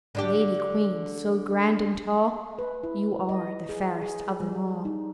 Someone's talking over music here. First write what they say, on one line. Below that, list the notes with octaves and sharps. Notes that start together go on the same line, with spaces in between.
"Lady queen, so grand and tall, You are the fairest of them all."
D3 D4 G4
B4
E4
D#5
G#4
G#4
G3
D#4